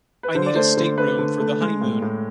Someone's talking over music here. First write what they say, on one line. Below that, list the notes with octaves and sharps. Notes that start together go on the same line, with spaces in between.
I need a stateroom for the honeymoon.
B4
D3 C5
D5
A3 C5
D3 C5
A3 B4
D3
A3
G#3
A2
A2